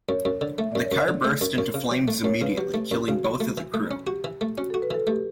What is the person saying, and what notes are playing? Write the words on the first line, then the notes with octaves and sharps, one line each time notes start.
The car burst into flames immediately, killing both of the crew.
F#2 C#5
F#2
D3
A3 E5
F#2 D5
C#5
F#2
D5
D3
A3
F#2
F#2
C#3
F#3
A3
F#2 C#5
C#3 B4
F#3 G4
A3
F#2
C#3 F#4
F#3
A3
E3
A3
C#4
F#4 G4
E3
A3
C#4 F#4
A4
F#4
B4
E3 A4
A3 G4